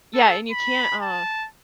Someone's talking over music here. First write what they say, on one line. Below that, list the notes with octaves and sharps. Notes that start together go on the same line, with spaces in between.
Yeah, and you can't, uh
A4
B5
A5